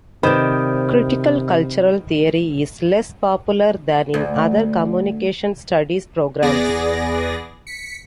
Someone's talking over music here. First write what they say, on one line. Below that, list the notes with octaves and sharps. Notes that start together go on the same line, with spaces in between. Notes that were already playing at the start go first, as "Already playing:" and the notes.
Critical-cultural theory is less popular than in other "communication studies" programs.
C3 D#3 C5 D5 B5 D#6 G6
D2
E2 B3 G#4 D5 A#6
B6 C#7